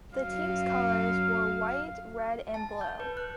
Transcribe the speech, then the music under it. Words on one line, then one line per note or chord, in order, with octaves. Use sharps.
The team's colors were white, red and blue.
F#2 F#3 F5
A5
G6
B4
F#6